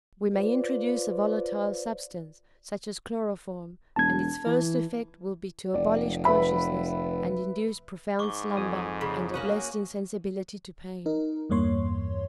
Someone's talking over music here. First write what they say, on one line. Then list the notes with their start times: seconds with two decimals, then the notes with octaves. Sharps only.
We may introduce a volatile substance, such as chloroform, and its first effect will be to abolish consciousness and induce profound slumber and a blessed insensibility to pain.
0.34 F4 B4 C5 D5
3.96 E1 A5 G#6
4.46 E3
5.74 F1 D5
6.25 B4 E5 B5
8.19 G#2 C#6 D6
8.57 F2 G#5 D#6
9.01 C#3
9.34 A#3 C#4 F#4 D#6 F#6
11.06 D#4 A#4
11.50 E2 G2 A#3 C#5 C6